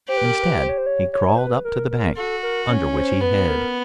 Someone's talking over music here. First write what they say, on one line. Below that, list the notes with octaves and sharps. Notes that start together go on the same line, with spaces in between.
Instead he crawled up to the bank, under which he hid.
G4 C5
B4
A#4
A#4
B4
C5
C#5
C5
C#5
C#5
C5
B4
A#4
A#4
F#4 A4
A#4
C#4
C5
B3 B4
A#4